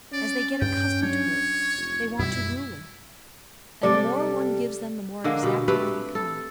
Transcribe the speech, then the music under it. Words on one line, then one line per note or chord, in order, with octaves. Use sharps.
As they get accustomed to her, they want to rule her, and the more one gives them the more exacting they become.
C#4 D5
G2 G5
F#3 D4 C#5
F1
F#2 B2 G3 E4
C3 G3 A4 D5
D3 G#3 A#3
B2 G4
A3 C4 G4 B4
A4